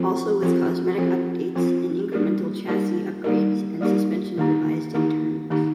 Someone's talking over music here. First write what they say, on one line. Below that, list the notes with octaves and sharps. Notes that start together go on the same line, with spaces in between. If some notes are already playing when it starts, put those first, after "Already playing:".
Also with cosmetic updates and incremental chassis upgrades and suspension revised internals.
Already playing: F3 C4 F4 A4
F3 C4 F4 A4
F3 C4 F4 A4
F3 C4 F4 A4
G3 A#3 D#4 G4 A#4
G3 A#3 D#4 G4 A#4
G3 A#3 D#4 G4 A#4
G3 A#3 D#4 G4 A#4
D#3 A#3 D#4 G4
D#3 A#3 D#4 G4
D#3 A#3 D#4 G4